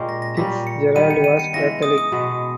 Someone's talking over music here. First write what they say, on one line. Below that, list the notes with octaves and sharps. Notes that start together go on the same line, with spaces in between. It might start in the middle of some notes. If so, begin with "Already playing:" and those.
Fitzgerald was Catholic.
Already playing: A#2 G#3 C#4 G4
A#6
A#6
A#2 G3 C#4 B6
C#7
D#3 G3 B3 D#7
C#7
D#7
C#7
C#3 E3 G#3 A#6
D#6
D#6
B2 G#3 B3